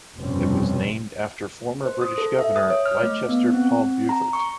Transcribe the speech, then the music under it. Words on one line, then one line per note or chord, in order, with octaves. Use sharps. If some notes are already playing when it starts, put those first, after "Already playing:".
It was named after former British Governor Leicester Paul Beaufort.
F1 G2 B2 G3 C4 C#4
C5
D#6
A4
E5
D#6
C#5
F6
A3
B3
C4
A#5
C#6